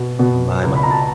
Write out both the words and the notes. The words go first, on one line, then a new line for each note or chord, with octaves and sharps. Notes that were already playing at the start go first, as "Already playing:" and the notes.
My my
Already playing: B2
B2
C#2
B5
A#5
A5